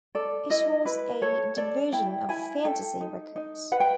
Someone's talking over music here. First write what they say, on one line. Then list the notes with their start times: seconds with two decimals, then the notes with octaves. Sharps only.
It was a division of Fantasy Records.
0.15 A4 D5
0.50 E4 D#5
0.85 E4 B4
1.22 A4 C#5
1.57 A4 D5
1.93 E4 G5
2.29 E4 G#5
2.65 A4 G5
3.01 D#4
3.36 D#4
3.72 B4 F#5
3.80 G5